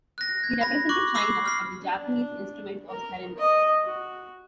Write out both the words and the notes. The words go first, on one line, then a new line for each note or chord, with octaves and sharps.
He represented China at the Japanese Instrument of Surrender.
F#6 A#6
G#6
B5 A#6
C#6 D6 F#6 F#7
B5 D6 E6 C7
F6 C7
D4
A#4
D#5
F#4